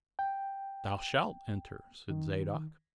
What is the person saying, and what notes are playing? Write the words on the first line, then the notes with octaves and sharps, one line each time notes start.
"Thou shalt enter," said Zadok.
G5
D#3